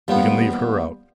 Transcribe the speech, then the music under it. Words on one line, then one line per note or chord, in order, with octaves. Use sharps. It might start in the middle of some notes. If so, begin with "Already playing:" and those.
We can leave her out.
D#2 F3 G3 B3